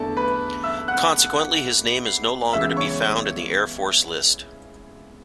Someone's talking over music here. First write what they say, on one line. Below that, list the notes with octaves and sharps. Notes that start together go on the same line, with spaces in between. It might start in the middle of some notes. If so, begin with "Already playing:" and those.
Consequently, his name is no longer to be found in the Air Force List.
Already playing: E2 D3 A3 A4 A5
B4 B5
E5 E6
F#5 F#6
C#2 C#3 E3 B3 E5 E6
C#5 C#6